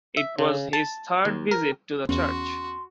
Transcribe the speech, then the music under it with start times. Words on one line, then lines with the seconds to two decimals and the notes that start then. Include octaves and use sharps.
It was his third visit to the church.
0.17 E5
0.38 C#3
0.73 A5
1.25 D#2
1.51 A#4
2.09 E2 C#4 F#4 C6